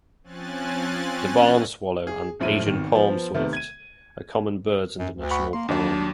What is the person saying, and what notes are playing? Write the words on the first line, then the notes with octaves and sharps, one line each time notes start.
The barn swallow and Asian palm swift are common birds in the national park.
F3 C4 C#4 G#5 F#6 A6
G#4
D#1 F#2 A2 F3 E4 D#7
G#1 B2 D#3
F3 B3 C5
C3 D#3 A3 B3
G#6 D#7
F#2
D2
F#5 B5 C#6
A#3 C6
D#2 F#3 D4